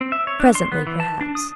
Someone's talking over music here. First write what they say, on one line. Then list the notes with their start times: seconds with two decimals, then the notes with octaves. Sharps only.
Presently, perhaps.'
0.01 C4
0.12 E5
0.27 C#5
0.40 D4
0.55 C6
0.72 B3
0.87 E3
1.00 A5
1.21 D4
1.35 D#6